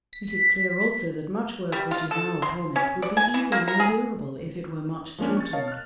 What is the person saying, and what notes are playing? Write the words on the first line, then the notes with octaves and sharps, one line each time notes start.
It is clear also that much work which is now a torment, would be easily endurable if it were much shortened.
B6
G3
F4
A4
C6
C#4
D5
G#5
E3
A#3
A#4
G#4
F3 G#3 A#3 C#4 D4
C#6 A6
A#4 C#5 D#5 F5 A5
F6 F#6